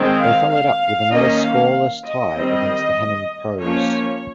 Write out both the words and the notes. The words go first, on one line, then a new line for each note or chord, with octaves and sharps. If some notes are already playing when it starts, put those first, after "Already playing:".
They followed up with another scoreless tie against the Hammond Pros.
Already playing: D#3 G#3 C4
F5
F5
D#3 A#3 C#4 D#5
F5
D#5
D#3 G3 C4
F3 A#3 C#4 C#5